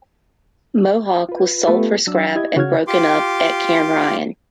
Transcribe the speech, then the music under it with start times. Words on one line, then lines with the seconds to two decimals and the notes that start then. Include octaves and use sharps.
"Mohawk" was sold for scrap and broken up at Cairnryan.
1.29 F4 B4
1.67 A3 B3 F4 G4 A4 B4
2.07 F#3 D4 E6
2.35 E4 G4 D#5 G#6
2.56 C#3 F#4 C#5 F#5 F6 G#6
2.87 F4 G4 C6 D6